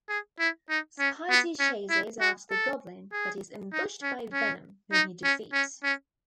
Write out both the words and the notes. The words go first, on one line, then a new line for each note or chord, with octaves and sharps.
Spidey chases after the Goblin, but is ambushed by Venom, whom he defeats.
G#4
E4
D#4
C#4
B3
C#4
E4
F#4
A4
G#4
D#4
C#4
C#4
D#4
C#4
C#4
C#4